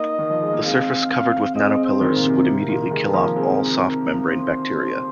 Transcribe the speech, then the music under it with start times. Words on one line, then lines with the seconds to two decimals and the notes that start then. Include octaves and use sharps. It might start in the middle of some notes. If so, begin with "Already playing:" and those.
A surface covered with nanopillars would immediately kill off all soft membrane bacteria.
Already playing: A#3 D#4 D#5
0.19 D#3
0.30 F3
0.42 G#3
0.53 A#3
0.65 G#3 C4 F5
1.11 F5
1.55 G#3 C4 D#5
1.85 C5
2.00 D#3 G#3
2.16 A#2 A#4
2.24 C3
2.46 C3
2.69 A#2 D#3
2.91 D#3 G#3
3.13 F3 A#3
3.36 G#3 C4
4.27 C5